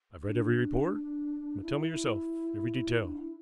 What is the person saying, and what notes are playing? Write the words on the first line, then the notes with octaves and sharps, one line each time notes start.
"I've read every report, but tell me yourself--every detail."
D4
E4
D4
E4